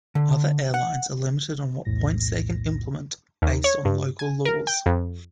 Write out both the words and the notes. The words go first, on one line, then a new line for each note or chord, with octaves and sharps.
Other airlines are limited on what points they can implement based on local laws.
D3
F#5
B1 E2 A2 A#6
D#2
C#5
G2
G#5
A#4
G5
F2